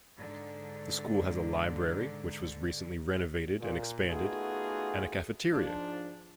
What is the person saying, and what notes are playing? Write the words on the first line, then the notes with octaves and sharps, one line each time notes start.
The school has a library, which was recently renovated and expanded, and a cafeteria.
G#2 D3 G#3
A#2
A3 B3 D#4 F4 F#4 G#4
G#2 F3 D4